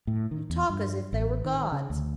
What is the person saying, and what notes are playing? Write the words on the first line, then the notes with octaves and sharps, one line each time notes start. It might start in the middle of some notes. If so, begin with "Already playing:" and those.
You talk as if they were gods.'
A2
D#3
E2
G2
A1
D#3
C#3
D2